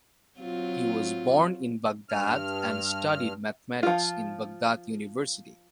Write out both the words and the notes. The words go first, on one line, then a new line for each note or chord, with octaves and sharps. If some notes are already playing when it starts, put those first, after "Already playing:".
He was born in Baghdad and studied mathematics in Baghdad University.
F#3 C4 F4
G2 F6
F3 F4